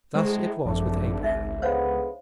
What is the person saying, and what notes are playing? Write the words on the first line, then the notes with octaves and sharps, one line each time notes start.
Thus it was with Abraham.
A2 G#3 C5 A#5 C#6
G#1 F#2 F3 A3 D4
C#2 D#4 E5
D3 G#3 B3 C5 C#5 F5